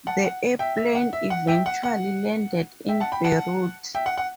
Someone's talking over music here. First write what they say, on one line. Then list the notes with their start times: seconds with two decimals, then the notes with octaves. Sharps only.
The airplane eventual landed in Beirut.
0.07 F#5 A5
0.24 F#5
0.59 E5 G5
0.77 E5
0.95 F#5
1.13 E5
1.30 F#5
1.47 E5 G5
1.66 F#5
1.83 F#5
2.89 E5 G5
3.00 F#5 A5
3.12 G5 B5
3.24 F#5 A5
3.95 E5 G5
4.06 F#5
4.18 F#5